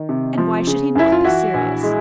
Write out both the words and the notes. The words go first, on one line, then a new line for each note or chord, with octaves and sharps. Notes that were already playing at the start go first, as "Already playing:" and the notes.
"And why should he not be serious?"
Already playing: D#3
C3
F3
C#3
F#2 E4
F4
E3 E4 F#4
A#1
G#3